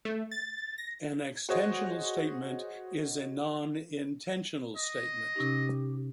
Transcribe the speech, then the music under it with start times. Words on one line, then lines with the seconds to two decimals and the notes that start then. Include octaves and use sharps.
An "extensional" statement is a non-intensional statement.
0.05 A3
0.31 A6
0.78 A#6
1.49 F#4 G#4 C5 C#5 D#5
4.76 D#5
5.36 C3 C#4 D#4 G4